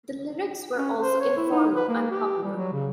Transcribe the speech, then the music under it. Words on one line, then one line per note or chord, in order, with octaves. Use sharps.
The lyrics were also informal and popular.
C#4
C5
C#5
E4
D#4
B4
A#3
G4
G3
F#3
C#3